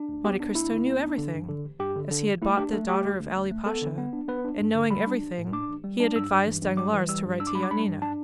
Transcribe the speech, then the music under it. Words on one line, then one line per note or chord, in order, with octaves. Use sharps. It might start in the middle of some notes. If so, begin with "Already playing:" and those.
Monte Cristo knew everything, as he had bought the daughter of Ali Pasha; and, knowing everything, he had advised Danglars to write to Yanina.
Already playing: D4
D2
B3 G4
D4
D2 E4
D2
B3
D4
D3
G2
D3
A1
G2 G4
D3
D3
A1
A3 E4
D4 G4
A3 A4
A3 G4
D2
D2
D2
A3
B3 A4
D3
B3
D4
B3 B4
D4
G2
D3
G3 B5
D4
A1
A2
D4 D6
A1
G3
D4
G2 E6
G2
E3
G2
G3 D6
E3
G3 E6
G2
D4 E6
D6
G3 B5
D6
D4 B5
G2
D4 A5